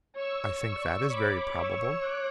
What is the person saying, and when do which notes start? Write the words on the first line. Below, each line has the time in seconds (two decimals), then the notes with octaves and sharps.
"I think that is very probable."
0.15 C#5 C#6 E6
0.46 C#5
0.61 C#6 E6
0.76 D5
1.07 C#5 B5 D6
1.53 C#6 E6
1.99 D6 F#6